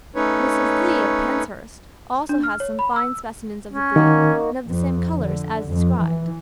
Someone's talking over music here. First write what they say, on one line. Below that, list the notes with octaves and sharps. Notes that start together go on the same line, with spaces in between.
Mrs. Lee, of Penshurst, also has some fine specimens of the breed, and of the same colours as described.
A3 C#4 D#4 B4 C#5
D4
F6
C#5
B5
E6
C#4
D#3 A#3 D#4 F#4
F2
D3
F2
E3